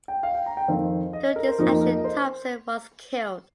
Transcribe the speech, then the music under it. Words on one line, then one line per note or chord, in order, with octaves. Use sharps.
During this action Thomson was killed.
G5
F5
G5
A#5
G5
F2 D#3 C4 F5
D#5
A#4
C5
F2 F3 A#3 D#4 A#4
A#4
D#5
C5